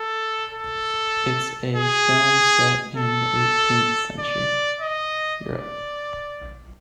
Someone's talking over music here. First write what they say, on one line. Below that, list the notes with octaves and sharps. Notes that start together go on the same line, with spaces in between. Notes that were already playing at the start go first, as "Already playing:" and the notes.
It's a film set in eighteenth century Europe.
Already playing: A4
A4
G#4
A4
D5
D#5
D5